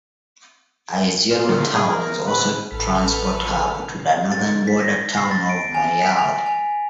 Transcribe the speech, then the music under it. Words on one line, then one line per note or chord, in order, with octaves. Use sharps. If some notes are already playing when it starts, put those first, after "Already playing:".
Isiolo town is also transport hub to the northern border town of moyale.
F4
F4
G#4
A#4
B4
A1 A4 B4 F6 B6
A6
B6
A#6
C7
A6
D7
G#5
B6
F7
G#5